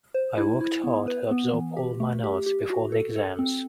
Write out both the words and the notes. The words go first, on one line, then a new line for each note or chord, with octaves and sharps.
I worked hard to absorb all of my notes before the exams.
C5
E4
E4
B3
B4
B3
E3
G4
A3
G4
G4
F#4
A4
A4
C4